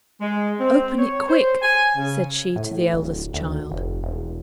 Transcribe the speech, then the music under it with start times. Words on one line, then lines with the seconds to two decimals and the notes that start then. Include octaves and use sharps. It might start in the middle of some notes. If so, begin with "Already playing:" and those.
Open it quick,' said she to the eldest child.
0.20 G#3
0.60 C4
0.98 C#5
1.28 C5
1.62 G#5
1.96 C#3
2.56 A2
2.93 D1
3.34 D2
3.71 F1
4.03 E1